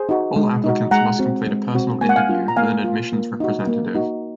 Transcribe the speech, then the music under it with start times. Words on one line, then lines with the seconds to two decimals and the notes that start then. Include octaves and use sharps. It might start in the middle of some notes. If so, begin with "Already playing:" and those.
All applicants must complete a personal interview with an admissions representative.
Already playing: G#4 C5
0.09 D#4 F#4
0.36 G#3
0.64 D#4 F#4
0.91 G#3 F#5 A#5
1.19 C4 F#4
1.47 G#3
1.75 C4 F#4
2.01 A#3 G#5
2.09 F#5
2.16 F5 G#5
2.29 F4
2.48 A#5
2.56 A#3 F5 G#5
2.84 F4
3.12 A#3
3.40 D#4 F#4
3.67 A#3
3.95 D#4 F#4